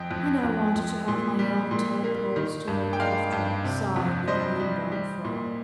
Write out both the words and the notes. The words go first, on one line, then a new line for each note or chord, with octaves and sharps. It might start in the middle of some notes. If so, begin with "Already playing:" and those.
"And I wanted to have my own Tadpoles to look after," sighed the Green Brown Frog.
Already playing: F2 D#5 G5
F2
F2
F2
A#2
G3
A#2
A#3
D#3
G2
G5
G#3 D5 F5
G2
C3
F2
G3 C5 D#5
G3
G3
A#2